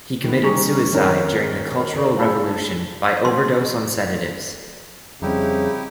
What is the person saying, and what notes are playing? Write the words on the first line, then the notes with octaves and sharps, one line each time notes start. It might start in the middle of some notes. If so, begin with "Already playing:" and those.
He committed suicide during the Cultural Revolution by overdose on sedatives.
D#3 B3
D#3 G3 G#4 A#5 C#6
D#3 C4 C#4 A#4 C#5
A#4 D5
F4 G#4 A5 B5 E6
C6
F2 C#3 G3 C4 D#4 E4 G4